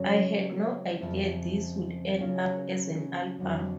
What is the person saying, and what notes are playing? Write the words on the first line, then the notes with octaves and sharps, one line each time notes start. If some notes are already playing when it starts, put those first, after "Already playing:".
I had no idea this would end up as an album.
Already playing: F#2 C#3 F#3 A3 C#4
F2 C#3 F3 A3
C#3 F#3 C#4 F4
F2 D3 F#3